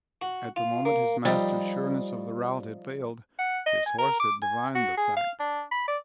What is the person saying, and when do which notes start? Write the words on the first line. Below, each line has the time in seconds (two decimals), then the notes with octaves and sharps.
At the moment his master's sureness of the route had failed his horse had divined the fact.
0.22 F#4
0.56 F4
0.85 A#3
1.25 F3 G3 D#4 A4
3.39 F#5
3.66 D#5
3.86 G#5
3.98 A#4
4.20 D6
4.42 G#5
4.75 F#4
4.97 G#4
5.17 F5
5.40 D4
5.71 B5
5.88 D5